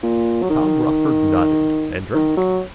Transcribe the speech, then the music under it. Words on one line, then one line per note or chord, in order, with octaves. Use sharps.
Tom Rochford nodded and drank.
A#2
F#3
D#3
D#3
F#3